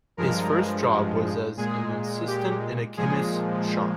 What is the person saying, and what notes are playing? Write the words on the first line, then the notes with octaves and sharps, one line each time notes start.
His first job was as an assistant in a chemist's shop.
G2 F3 G#3 A#4
A#2 G#3 G#4
G4
A#2 F3 G#3 G#4